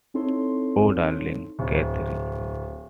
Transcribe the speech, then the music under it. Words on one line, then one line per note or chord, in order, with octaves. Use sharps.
Oh, darling Catherine!
C4 D#4 E4 A4 C#5 C6
D1